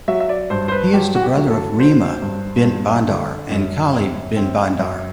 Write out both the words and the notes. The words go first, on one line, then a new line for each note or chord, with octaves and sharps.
He is the brother of Reema bint Bandar and Khalid bin Bandar.
F#3 E5
E5
D5
G2 C5
C5
B4
F#3 G4
F#4
G4
F#3
A4
F#3 C5
G2
G2
D3
F#2
C4
C4
F#2